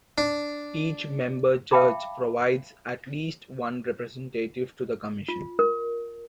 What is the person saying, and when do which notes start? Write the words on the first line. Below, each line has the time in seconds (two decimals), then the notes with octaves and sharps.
Each member church provides at least one representative to the Commission.
0.18 D4
1.71 E5 F5 G5 A5 B5 D6
5.28 F4
5.59 A#4